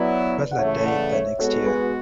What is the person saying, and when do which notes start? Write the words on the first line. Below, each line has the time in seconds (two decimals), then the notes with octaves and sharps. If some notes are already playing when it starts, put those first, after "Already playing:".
Butler died the next year.
Already playing: F#3 B3 E4 B4 D5
0.51 F#5
0.58 C#3 E3 A3 C#5 E5
0.85 D5 F#5
1.12 C#5 E5
1.39 G#3 B3 F#4 A4 C#5
1.54 C#5
1.66 G#4 B4